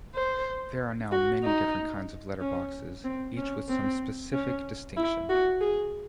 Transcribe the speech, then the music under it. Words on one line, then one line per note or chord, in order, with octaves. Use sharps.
There are now many different kinds of letterboxes, each with some specific distinction.
C5
F#4
D#4
C#4
C4
C#4
C4
C#4
E4
F#4
G#4